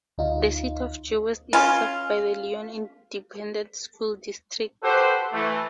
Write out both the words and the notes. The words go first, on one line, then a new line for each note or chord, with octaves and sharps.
The City of Jewett is served by the Leon Independent School District.
D2 D#4 F4
C#4 F4
F#4 G4 A4 B4 C5
E3 A3